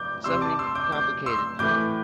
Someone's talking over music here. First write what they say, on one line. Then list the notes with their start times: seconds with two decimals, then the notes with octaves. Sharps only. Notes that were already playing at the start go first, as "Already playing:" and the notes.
something complicated,
Already playing: D6 G6
0.24 C3 G3 C6 E6
0.41 A5 D6
0.59 C6 E6
0.75 D6 G6
0.92 D6 G6
1.26 C6 E6
1.59 A2 E3 A3 D6 G6